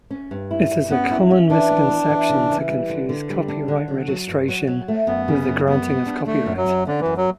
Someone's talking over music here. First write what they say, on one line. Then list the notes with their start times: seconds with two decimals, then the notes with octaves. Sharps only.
It is a common misconception to confuse copyright registration with the granting of copyright.
0.11 C#4
0.31 G2
0.51 E4
0.71 G2
0.91 B3 C#4
1.11 E4
1.31 C#4
1.50 E3 D4
1.71 B3
1.90 B3
2.10 E3
2.30 C#3
2.50 E3
2.69 G3
2.89 D3
3.09 D3
3.29 G3
3.48 D4
3.68 D3
3.88 F#3
4.08 F#3
4.28 G2
4.48 F#3
4.67 F#3
4.88 A3
5.07 F#2 B3
5.28 C#3
5.48 F#2
5.67 G3 B3
5.87 G3
6.06 D4
6.26 D3 A3
6.46 F#2
6.57 F#3
6.66 F#2
6.87 D3 C#4
7.01 F#2 E3
7.17 F#3